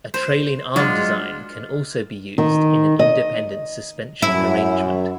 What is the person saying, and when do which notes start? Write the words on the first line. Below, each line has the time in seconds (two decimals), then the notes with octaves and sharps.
A trailing arm design can also be used in an independent suspension arrangement.
0.14 C5
0.76 F#3 G#3 D4 F4
2.38 D#3
2.99 D#5
4.22 F#2 E4